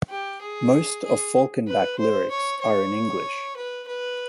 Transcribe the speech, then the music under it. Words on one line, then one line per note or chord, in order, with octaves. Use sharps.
Most of "Falkenbach" lyrics are in English.
G4
G#4
G#4
B4
C5
C#5
C#5
B4
B4